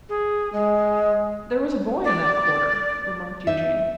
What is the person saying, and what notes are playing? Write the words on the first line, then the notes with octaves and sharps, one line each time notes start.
'There was a boy in that quarter,' remarked Eugene.
G#4
G#3
D5
D#4 E5